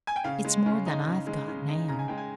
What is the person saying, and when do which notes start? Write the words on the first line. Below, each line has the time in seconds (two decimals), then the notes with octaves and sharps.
It's more than I've got now.
0.07 G#5
0.16 G5
0.24 C#3 F5
0.45 G#3
0.66 C#3
0.86 D#4
1.07 C#3
1.27 G#3
1.48 C#3
1.69 D#4
1.88 C#3 A#5
1.99 G#5
2.08 G#3 G5
2.18 G#5